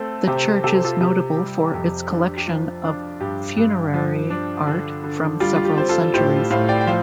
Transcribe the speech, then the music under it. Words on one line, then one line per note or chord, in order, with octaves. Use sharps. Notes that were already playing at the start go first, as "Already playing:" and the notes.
The church is notable for its collection of funerary art from several centuries.
Already playing: A3 C4 A4
C3 G4 C5
C3 A4
C5
F4 A4
C3 G4
G3
F2
D4
G4
F3 F4
D4
G2 G4
G2
F3
D4
D3
D3
G3 F4
F4
G4
C4 C5
F4 A4
A2 G4 C5
A2 C5 F5
D5 G5
G5
F3 C5 F5